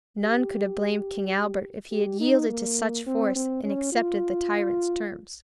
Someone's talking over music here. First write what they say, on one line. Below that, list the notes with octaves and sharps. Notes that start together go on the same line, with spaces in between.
None could have blamed King Albert if he had yielded to such force and accepted the tyrant's terms.
G4
G4
D#4
A#3
C4
C4
C#4
F4